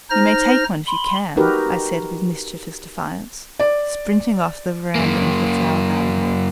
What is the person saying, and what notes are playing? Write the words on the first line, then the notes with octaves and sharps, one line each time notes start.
"You may take one if you can," I said with mischievous defiance, springing off the veranda into the flower-garden.
D#4 C5 A#5 F6 A#6
B5 C6
D#4 F#4 G4 A#4 B4
D5
F#2 A#3